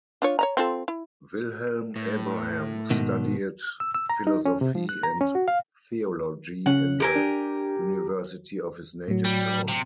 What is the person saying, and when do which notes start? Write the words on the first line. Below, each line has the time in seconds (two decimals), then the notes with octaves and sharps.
Wilhelm Abraham studied philosophy and theology in the university of his native town.
0.22 D4 F4 C#5
0.39 C#5 D#5 A#5
0.57 C4 F4 A4
0.88 E4
1.96 A2
2.90 G#2 B2 D#3
3.80 E6
3.94 E6
4.10 A#5
4.27 D#4
4.45 C#4
4.61 C3
4.75 F3
4.89 F#6
5.03 A#5
5.21 C#4
5.35 F#4
5.48 F5
6.66 C#3 C#4 F#5
7.00 G4 A#4 G#5
7.15 D4
9.08 A2 F#3
9.25 G3
9.68 C3